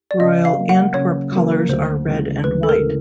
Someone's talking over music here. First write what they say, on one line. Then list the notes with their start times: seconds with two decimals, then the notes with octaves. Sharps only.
Royal Antwerp colours are red and white.
0.11 D5
0.20 C#3 D#5
0.45 F5
0.57 F#3 A#3
0.69 F#5
0.94 C#3 C#5
1.32 F#3 A#3
1.69 D2 C5
2.07 C#3 E3 G#3
2.44 D2 B4
2.63 A4
2.69 A#4
2.82 C#3 E3